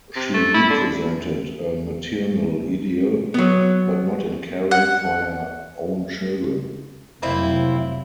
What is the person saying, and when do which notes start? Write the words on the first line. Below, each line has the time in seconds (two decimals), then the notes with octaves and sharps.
She represented a maternal ideal, but not in caring for her own children.
0.16 C3
0.34 A3
0.54 E4
0.70 D3
3.34 F#3 B3
4.71 F#5
7.22 F1 C3 F#3 A#3 C4 E4